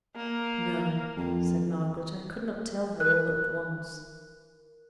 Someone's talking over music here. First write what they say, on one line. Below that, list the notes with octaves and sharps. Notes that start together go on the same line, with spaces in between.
'No,' said Margaret; 'I could not tell her all at once.'
A#3
F2
A#4 F#6